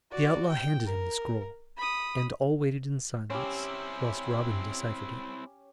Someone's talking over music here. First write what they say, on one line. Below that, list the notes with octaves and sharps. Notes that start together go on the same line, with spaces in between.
The outlaw handed him the scroll, and all waited in silence whilst Robin deciphered it.
F#4 D5
G5
A#4
B5 D#6
C4 C#4 E4 G4